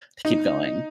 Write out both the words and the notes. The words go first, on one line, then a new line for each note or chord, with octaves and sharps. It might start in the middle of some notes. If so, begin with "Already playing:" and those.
to keep going.
D#4